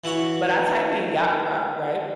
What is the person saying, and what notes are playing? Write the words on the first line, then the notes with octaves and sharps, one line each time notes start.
but I type in Yacht Rock, right?
E3 E4 F#4 C#5